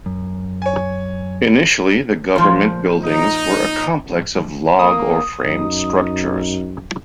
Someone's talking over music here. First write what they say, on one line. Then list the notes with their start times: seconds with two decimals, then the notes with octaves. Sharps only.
Initially the government buildings were a complex of log or framed structures.
0.06 F#2
0.62 C#5 G#5
2.36 A#2 F3
3.04 D#4
4.79 A#3 D#6
5.42 F#2 D#4